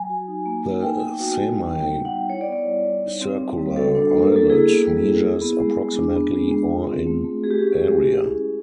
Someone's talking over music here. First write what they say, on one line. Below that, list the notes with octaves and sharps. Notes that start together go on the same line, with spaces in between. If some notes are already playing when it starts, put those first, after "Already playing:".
The semicircular islet measures approximately or in area.
Already playing: F#3 G#5
F#4
D#4
A#3
A#3
D#4 G5
B3
F#4
G3
D#4 G5
B3
G5
G3
F#5
G3
E4 C#5
D5
B3 C#5
G3
G3
D#4
C4
G3
G3
F#4 A4
D4
A#3
A#4
A#3 A4
E4 G#4
B3
G3
G3
E4
B3
G#3
G#3
D4
B3
G#3
G#3
F4
C4
A3
A3
F#4 G#4
G4
C#4 G#4
G#3
G#3
E4
C#4